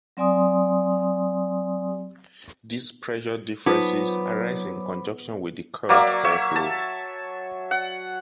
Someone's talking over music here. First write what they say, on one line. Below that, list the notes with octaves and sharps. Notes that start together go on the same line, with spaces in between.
These pressure differences arise in conjunction with the curved air flow.
F#3 C4 D5 G#5 C6 D#6
F#3 B3 D#4 F4 C5 B5 D6
F#3 A#3 D5 E5
C#5 E5
A5
F#5